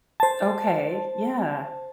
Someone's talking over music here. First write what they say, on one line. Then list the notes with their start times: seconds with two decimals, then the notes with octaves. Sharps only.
Okay, yeah.
0.20 C5 A5